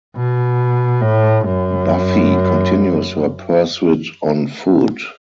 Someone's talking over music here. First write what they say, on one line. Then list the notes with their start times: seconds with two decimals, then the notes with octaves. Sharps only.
Buffy continues her pursuit on foot.
0.16 B2
1.01 A2
1.44 F#2